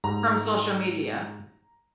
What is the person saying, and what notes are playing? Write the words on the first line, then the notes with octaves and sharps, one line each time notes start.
From social media.
G#2 A#5